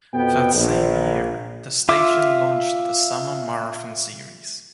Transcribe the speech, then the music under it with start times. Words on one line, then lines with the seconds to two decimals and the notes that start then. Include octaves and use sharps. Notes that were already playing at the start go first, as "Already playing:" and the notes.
That same year, the station launched the Summer Marathon Series.
0.14 F2 B2 B3 G5
0.54 A#1
1.89 F4 E5 D6